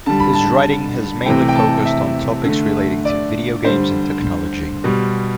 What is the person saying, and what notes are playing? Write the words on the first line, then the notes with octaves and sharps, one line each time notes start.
His writing has mainly focused on topics relating to video games and technology.
D3 G3 A5
B5
A5
C3 E3 A3 G5
G5
A5
E5
D3 A3
D5
D3 G3 C5
B2 G3